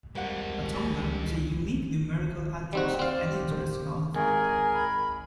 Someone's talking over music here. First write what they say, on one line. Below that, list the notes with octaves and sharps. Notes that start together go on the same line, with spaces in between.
A tumbler is a unique numerical address of any interesting artifact.
F2 G3 G#3 A#4 F#5
G3 C4 D#4 F#4
C4 D5 F5
G4
D#3
G#1 G#4 A#4 G#5
B5